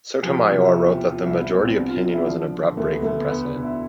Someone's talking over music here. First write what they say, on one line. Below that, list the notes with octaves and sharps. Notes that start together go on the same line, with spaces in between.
Sotomayor wrote that the majority opinion was "an abrupt break from precedent".
F3 G4
F4
C3
E4
E2 F4
G4
E2
F4
C2 E4
E4
B2 B3
C4
C2 D4
F4
B2
E4
F3 D4
D3
D2 A3
B3
D2 A3
B3
E2 B3
D4
B2
E4